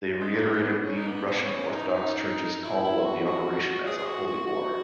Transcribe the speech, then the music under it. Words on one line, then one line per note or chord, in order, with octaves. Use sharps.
They reiterated the Russian Orthodox Church's call of the operation as a Holy War.
G#3
A#3
B3
B3
C#4
D#4
A#3
B3
B3
C#4
C#4
D#4
D#4
E4
E4
F#4
F#4
G#4
G#4
F#4
F#4
F#4